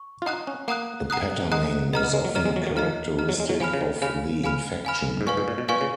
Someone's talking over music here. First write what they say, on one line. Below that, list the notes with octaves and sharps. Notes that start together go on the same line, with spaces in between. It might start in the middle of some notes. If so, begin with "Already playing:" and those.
The patterning is often characteristic of the infection.
Already playing: C#6
F4
D#4 F#5 A#5 D#6 F#6
C#4
A#3 F#5 A#5 D#6 F#6
F#5 A#5 D#6 F#6
G#3 F#5 A#5 D#6 F#6
B3 D#5 A#5 F6
B3
G#3
F#3
F#3 D#5 A#5 F6
G#3
F#3
F#3
F3 D#5 A#5 F6
D#5 A#5 F6
F#3
G#3
F#3
F3 F5 G#5 B5 F6
C#3
D#3
C#3 F5 G#5 B5 F6
F5 G#5 B5 F6
F5 G#5 B5 F6
G#2
A#2 B4 F5 G#5 C#6
G#2
A#2
B2
A#2 B4 F5 G#5 C#6
C#3